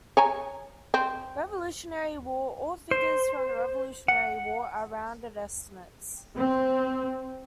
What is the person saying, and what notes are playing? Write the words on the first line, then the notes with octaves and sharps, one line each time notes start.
Revolutionary War: All figures from the Revolutionary War are rounded estimates.
C#5 G#5 A#5
C4
C5
F#5
C4